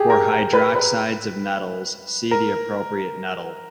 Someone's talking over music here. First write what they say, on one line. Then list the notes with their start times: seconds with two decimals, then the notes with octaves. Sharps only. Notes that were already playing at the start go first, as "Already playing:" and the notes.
For hydroxides of metals, see the appropriate metal.
Already playing: G4 G#4
0.10 A#4
0.32 A#4
0.53 B4
0.75 B4
2.31 A#4